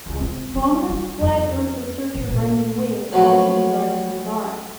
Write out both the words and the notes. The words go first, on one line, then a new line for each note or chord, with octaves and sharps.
Prominent Flat Earth researcher Brendan Wing also resides nearby.
C#2
C4
G3
G3
F2
A2
A#2
F3 F#3 A3 B3 F#4